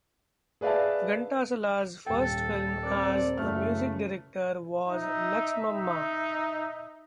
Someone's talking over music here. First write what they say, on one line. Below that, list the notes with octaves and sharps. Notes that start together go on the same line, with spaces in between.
Ghantasala's first film as a music director was "Laxmamma".
G#4 B4 D5 E5 F5 A5
D#1 A4 G5
C4 A#4 D5
F#2 C#3 E3 A3 F6
D#4 E5
D#4